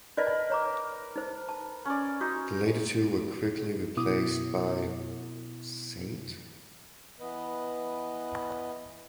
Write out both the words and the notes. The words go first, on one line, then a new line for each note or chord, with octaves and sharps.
The later two were quickly replaced by St.
D#4 A#4 B4 D5 D#5
C#5 A#5 D6
D#4 C5
A5
C#4 D5
D#4 F#4
B2 B3 E4 D6 D#6
E3 B3 B4 D#5